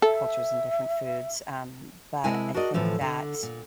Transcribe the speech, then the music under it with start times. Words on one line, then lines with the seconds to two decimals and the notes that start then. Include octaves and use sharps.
cultures and different foods, um, but I think that
0.02 A4 E5
2.24 C3 G#3 E4 A#4 G#5 A5
2.54 D4 F#4 G#4 A#4 D5 D#5
2.74 A2 D3 E3 F3 A3
3.01 D3
3.43 A#2